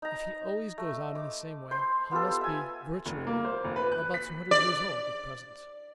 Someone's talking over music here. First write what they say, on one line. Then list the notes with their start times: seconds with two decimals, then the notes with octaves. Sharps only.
If he always goes on in the same way, he must be, virtually, about two hundred years old, at present.
0.02 D#4 A#5
0.78 A3
1.15 D6
1.71 C5 C6
2.11 B3 F4 G4 A4
2.41 E5 G#5
3.06 F1
3.27 A#3
3.45 C5
3.64 F1
3.76 B4
3.92 F#6
4.14 B6
4.51 D5